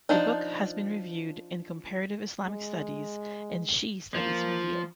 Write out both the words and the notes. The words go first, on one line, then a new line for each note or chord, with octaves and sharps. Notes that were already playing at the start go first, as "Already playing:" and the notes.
The book has been reviewed in "Comparative Islamic Studies" and "Shii Studies Review".
F3 D4 D#4
G#3
F3 A#3